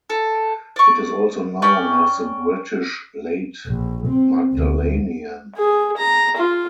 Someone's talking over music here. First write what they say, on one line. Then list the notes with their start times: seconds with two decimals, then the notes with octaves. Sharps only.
It is also known as the British Late Magdalenian.
0.10 A4
0.76 D5 C#6
1.62 C#4 D5 G5
3.66 A#1
4.07 C4
4.53 D2
5.57 G#4
5.97 A#5
6.36 F4